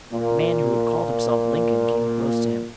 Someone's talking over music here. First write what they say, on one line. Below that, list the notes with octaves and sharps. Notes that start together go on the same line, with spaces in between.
The man who had called himself Lincoln came close to him.
A#2 A#3